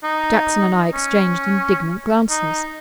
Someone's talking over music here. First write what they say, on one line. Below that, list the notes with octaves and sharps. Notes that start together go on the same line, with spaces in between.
Jackson and I exchanged indignant glances.
D#4
C#4
D#4